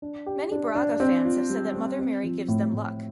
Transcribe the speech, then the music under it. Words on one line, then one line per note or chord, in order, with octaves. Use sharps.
Many Braga fans have said that Mother Mary gives them luck.
D4
G4
D4
D4
C4
F4
G3
C4
C4
F3
A2
A2